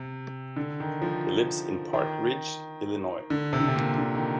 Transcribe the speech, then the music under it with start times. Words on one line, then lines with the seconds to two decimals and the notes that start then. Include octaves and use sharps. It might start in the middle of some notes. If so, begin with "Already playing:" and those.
He lives in Park Ridge, Illinois.
Already playing: C3
0.56 D3
0.80 D#3
1.02 F3
1.93 D#3
3.30 D3
3.53 C3
3.60 D3
3.68 C3
3.76 A#2
3.98 D3
4.15 D#3